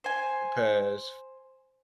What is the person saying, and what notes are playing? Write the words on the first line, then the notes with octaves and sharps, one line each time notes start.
the past
C5 G#5